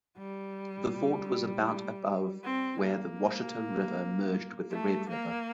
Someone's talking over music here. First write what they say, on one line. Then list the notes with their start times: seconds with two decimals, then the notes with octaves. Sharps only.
The fort was about above where the Washita River merged with the Red River.
0.18 G3
2.44 C4
2.82 A#3
4.71 A3
5.10 A#3